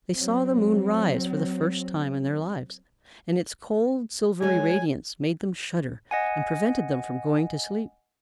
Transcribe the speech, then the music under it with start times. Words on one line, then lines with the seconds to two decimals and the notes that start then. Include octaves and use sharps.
They saw the moon rise for the first time in their lives, and its cold, silvery radiance made them shudder and prevented them from going to sleep.
0.14 F#3 C4
4.42 F#3 G#3 G#5
6.11 D#5 F#5 G#5